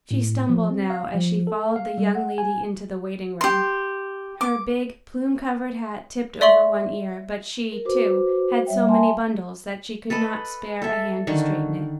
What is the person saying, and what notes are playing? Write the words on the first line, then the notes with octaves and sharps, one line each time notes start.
She stumbled now as she followed the young lady into the waiting-room. Her big, plume-covered hat tipped over one ear, but she, too, had so many bundles, that she could not spare a hand to straighten it.
A2
F3
C4
F5
F3
A4
F5
G3
F#5
G#5
G4 C6
D6
D5 E5 C6 C#6 F#7
A#4
F#4 B4 C5 D6
G3 C#5 E5 G5
E5 G#5 A5 C6
A4 B4 D#5 B5
A4 E5
D3 D#3 C#6